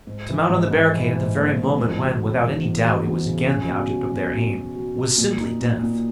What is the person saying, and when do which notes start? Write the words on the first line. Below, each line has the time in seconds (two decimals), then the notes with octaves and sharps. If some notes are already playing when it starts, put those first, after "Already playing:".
To mount on the barricade at the very moment when, without any doubt, it was again the object of their aim, was simply death.
0.07 G#2
0.29 E3
0.49 G#2
0.71 G#2
0.92 E3
1.13 G#2
1.35 A#3
1.55 G#2
1.78 E2
1.98 F#3
2.20 C#3
2.41 E2
2.63 E2
2.84 F#3
3.05 E2
3.26 C#3
3.47 C#4
3.69 B2
3.91 F#3
4.12 B2
4.33 B2
4.54 B2
4.76 F#3
4.97 F#3
5.18 A#2
5.40 D#4
5.61 A#2
5.83 A#2